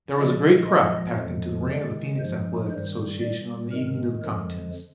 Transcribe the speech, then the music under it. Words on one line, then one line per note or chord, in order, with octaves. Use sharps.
There was a great crowd packed into the ring of the Phoenix Athletic Association on the evening of the contest.
A#2 F3 G#3 D5
A#2 F3 G#3 D#5
F2 D3 F3 G#3
C3 D#3 G#3 D5
G2 F3 G#3 C5
G2 D#3 G3 C5
A#2 G3 D5
G#2 D#3 G#3 A#4
F2 D3 F3 G#3 A#4